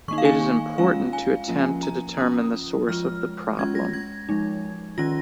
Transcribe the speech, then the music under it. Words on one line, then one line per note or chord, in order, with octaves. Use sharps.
It is important to attempt to determine the source of the problem.
D#3 A#3 D#4 C#6
F5
G#5
G#3 C#4 F4 F5
G#5
F3 A#3 C#4 F4
A#5
F3 C#4 F4 D#6
F3 G#3 F4 F6
G#3 C#4 F4 G#6
A#6
G#6
F3 G#3 D#4
D#3 C#4 F4 A#6